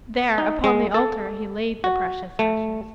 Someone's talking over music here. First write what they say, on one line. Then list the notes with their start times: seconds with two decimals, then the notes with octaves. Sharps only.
There upon the altar he laid the precious ashes.
0.38 D#4
0.64 G#3
0.94 A4
1.84 F#4
2.39 A3